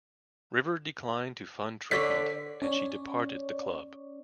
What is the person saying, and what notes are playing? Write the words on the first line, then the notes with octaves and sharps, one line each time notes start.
River declined to fund treatment and she departed the club.
D3 C#5 D5 B6
C#4 C#5 D5